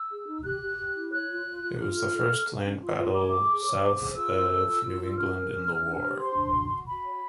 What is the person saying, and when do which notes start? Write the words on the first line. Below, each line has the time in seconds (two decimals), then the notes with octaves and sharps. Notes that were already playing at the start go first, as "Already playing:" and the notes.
It was the first land battle south of New England in the war.
Already playing: E6
0.11 G#4
0.27 D#4
0.43 G4 F#6
0.61 G4
0.78 G4
0.95 E4
1.12 C#5 F#6
1.28 F4
1.45 F4
1.63 F4
1.79 F4 F6
1.96 A4
2.13 A4
2.29 A4
2.47 A4
2.64 C#4
2.80 F4
2.97 F4
3.14 C#5 D6
3.31 G#4
3.49 G#4
3.66 C#5
3.82 C5
3.98 G#4
4.16 F4 E6
4.33 C5
4.50 A4
4.67 F4
4.84 F4
5.01 F4
5.12 E6
5.17 C#4 F6
5.34 A#4
5.51 C#4
5.68 C#4
5.84 D4
6.02 G4
6.18 C5 C6
6.35 D4
6.52 F#4
6.69 F#4
6.86 F#4 B5
7.04 C#5